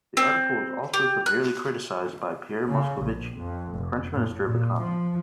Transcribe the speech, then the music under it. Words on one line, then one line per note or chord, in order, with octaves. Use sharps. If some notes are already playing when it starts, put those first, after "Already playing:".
The article was also severely criticised by Pierre Moscovici, the French Minister of Economy.
C4
G4
F#6
C#3
A#1
F2
F1
A2
A#2
F3